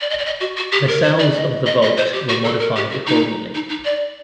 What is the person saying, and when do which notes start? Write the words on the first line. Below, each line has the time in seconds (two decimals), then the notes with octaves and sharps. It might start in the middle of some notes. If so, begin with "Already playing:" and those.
The cells of the vault were modified accordingly.
0.01 D5
0.10 D#5
0.19 D5
0.26 D#5
0.40 F#4
0.57 F#4
0.72 G4
0.88 A#4
1.04 C5
1.19 D5
1.35 D#5
1.66 D#5
1.82 D#5
1.98 C5
2.13 G4
2.29 F#4
2.44 A4
2.60 A#4
2.76 G4
2.91 F#4
3.07 D#4
3.54 D#4
3.69 D#4
3.85 D5